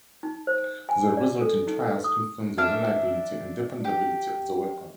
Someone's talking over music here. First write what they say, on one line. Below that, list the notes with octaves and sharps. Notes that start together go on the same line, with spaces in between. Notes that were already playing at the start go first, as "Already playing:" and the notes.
The resulting trials confirmed the reliability and dependability of the weapon.
D#4
C5
G#5
D5
A4
D#4
D#6
D4 E5 F6
G4